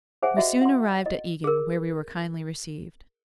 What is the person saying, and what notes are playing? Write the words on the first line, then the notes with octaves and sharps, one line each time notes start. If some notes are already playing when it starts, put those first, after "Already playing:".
We soon arrived at Egan, where we were kindly received.
G#4 C5 E5 F#5 G#5
F#4 D#5 E5
F#5 C6
D#5
G#4 A#4